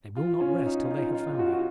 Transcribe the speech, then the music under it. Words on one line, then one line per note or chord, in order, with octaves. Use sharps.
They will not rest till they have found me.
F4
C#4
D#4
F4
D#4
F4
F4
F#4
F#4